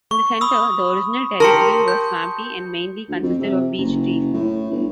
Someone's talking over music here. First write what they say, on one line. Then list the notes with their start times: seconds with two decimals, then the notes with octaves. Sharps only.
In the centre, the original territory was swampy and mainly consisted of beech trees.
0.11 C#6
0.41 B5 D#6 E6
1.40 G4 A#4 A5 C6 C#7
1.88 G6
3.09 D2
3.23 F2
3.40 C3
3.78 F#1
4.34 A2
4.71 G1